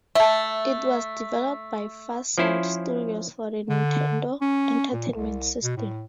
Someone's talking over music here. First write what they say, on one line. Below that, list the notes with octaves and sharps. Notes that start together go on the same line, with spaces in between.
It was developed by FarSight Studios for the Nintendo Entertainment System.
A3 E5 A5
F3 C#4 E4 C5
D3
C#4
A#2
C2
B2
A2